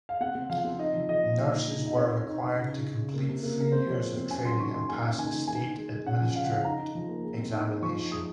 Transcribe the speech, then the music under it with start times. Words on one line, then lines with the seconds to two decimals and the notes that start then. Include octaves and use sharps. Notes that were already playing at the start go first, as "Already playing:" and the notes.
Nurses were required to complete three years of training and pass a state-administered examination.
0.09 F5
0.20 C4 F#5
0.35 C4
0.50 F3 F5
0.65 C4
0.79 D#4 D#5
0.94 F3
1.08 F3 D#5
1.22 A#2
1.38 D#4
1.52 D#4
1.67 G#3
1.82 D#4 D#5
1.96 C4 C#5
2.11 G#3
2.26 D#4
2.40 D#4
2.55 C#3
2.69 C#3
2.84 C#3
2.99 C#3
3.14 A#3
3.29 C3
3.43 A#3
3.58 C3 A#4
3.72 C4 C5
3.87 F3 C#5
4.02 G#3
4.16 C4
4.30 C#4 G#5
4.45 F#3 C6
4.60 D#3 C#6
4.74 D#3 C6
4.89 A#3 G#5
5.03 C#4
5.18 D#3 G#5
5.33 D#3
5.47 D#3 G#5
5.63 D#3
5.77 G#3
5.92 G#3
6.06 C#4 F#5
6.22 F3
6.35 C#3 F5
6.45 F#5
6.50 C#4 F5
6.65 D#4 A#5
6.80 D#4
6.95 F3
7.08 A#3
7.23 G#3
7.38 C4
7.53 D#4
7.67 G#3
7.82 F3 C#6
7.96 D#4
8.11 G#3 D#6